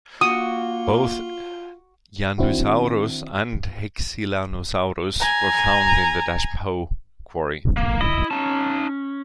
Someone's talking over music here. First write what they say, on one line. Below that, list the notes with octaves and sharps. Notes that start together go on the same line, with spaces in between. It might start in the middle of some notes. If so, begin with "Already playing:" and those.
Both "Yandusaurus" and "Hexinlusaurus" were also found in the Dashanpu Quarry.
A#3 F4 F#4 D#6
D#3 C4 D4 E4 F#4
G#5 A#5
A#3
E4 D#5
C#4 D#4 A5